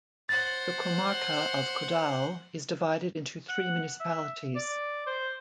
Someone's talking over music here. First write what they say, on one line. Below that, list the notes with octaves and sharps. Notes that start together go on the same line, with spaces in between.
The comarca of Caudal is divided into three municipalities.
C5 F#5 A6
F#5
E5
D5
C5